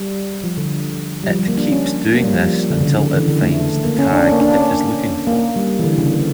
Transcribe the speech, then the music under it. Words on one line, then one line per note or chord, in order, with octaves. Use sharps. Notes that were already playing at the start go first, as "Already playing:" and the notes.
It keeps doing this until it finds the tag it is looking for.
Already playing: G3
F3
D3
G3
F3
G3
A#3
D4
C#4
A#3
G3
F3
D3
C#3
D3
D3
E3
D3
A3
A#3
C#4
D4
C#4
A#3
D4
C#4
A#3
G3
E3
D3
C#3
D3